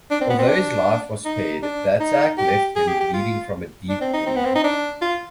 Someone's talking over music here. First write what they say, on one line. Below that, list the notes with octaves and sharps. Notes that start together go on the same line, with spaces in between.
Although his life was spared, the attack left him bleeding from a deep wound.
D4
C4
B3
C4
D4
D#4
D4
D#4
G4
G#4
G4
G4
F4
D4
C4
D#4
C4
B3
C4
D#4
D4
F4